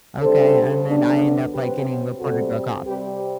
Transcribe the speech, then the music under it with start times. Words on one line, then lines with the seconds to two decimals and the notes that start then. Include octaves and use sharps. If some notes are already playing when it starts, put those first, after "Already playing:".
okay," and then I end up, like, getting reported to a cop.
0.21 C3 G3 D4 A4 C5
0.88 D3 F#3 B3 D4
1.53 C3 F#3 C4 G4 B4
2.19 C3 G3 C4 F#4 A4
2.86 C3 G3 C4 G4 B4